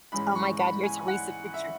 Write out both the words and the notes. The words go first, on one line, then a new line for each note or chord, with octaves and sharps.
Oh my God. Here's a recent picture.
G#2 E3 G#3 C#4 B5
B5
C#6
B5
G#5
F#5
E5